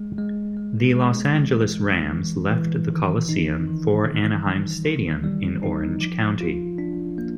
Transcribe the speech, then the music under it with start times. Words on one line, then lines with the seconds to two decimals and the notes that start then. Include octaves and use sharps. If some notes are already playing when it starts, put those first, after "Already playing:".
The Los Angeles Rams left the Coliseum for Anaheim Stadium in Orange County.
Already playing: G#3
0.18 G#3
0.57 G#3
0.95 G#3
1.35 E3
1.74 G#3
2.12 E3
2.51 E3
2.90 D#3
3.29 D#4
3.68 D#3
4.07 D#3
4.46 G3
4.85 D#3
5.24 G3
5.63 D#4
6.01 F3
6.41 F4
6.78 D4
7.18 A#3